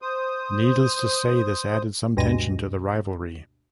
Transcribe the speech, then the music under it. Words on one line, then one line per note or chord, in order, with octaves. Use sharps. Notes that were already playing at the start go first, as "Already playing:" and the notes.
Needless to say, this added some tension to the rivalry.
C5 D#6
D2 G2 B2 G#3 A#6 D#7